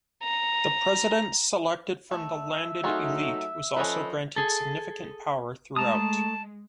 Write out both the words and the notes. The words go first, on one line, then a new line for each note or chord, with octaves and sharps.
The president, selected from the landed elite, was also granted significant power throughout.
A#5
A3 E5
F#3 A3 D#4 F4 F#4 G#4
F3 C#4 A4 B4 D#5
G#4 A4
G#3 A3 A5 A#5 D#6